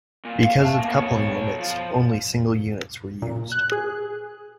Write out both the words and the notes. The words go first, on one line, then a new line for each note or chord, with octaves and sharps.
Because of coupling limits, only single units were used.
A#2
F5
E5 A5
A#3 B3
B2 C#5
F3
A#2
F#6
G#4